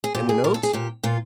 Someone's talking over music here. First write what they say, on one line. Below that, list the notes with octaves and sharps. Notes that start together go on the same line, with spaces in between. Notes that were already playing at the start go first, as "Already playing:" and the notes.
"And the notes?"
G#4
A#2 G4
G#4
A#2 A#4
A4
G#4
A#2 G4
A#2 F4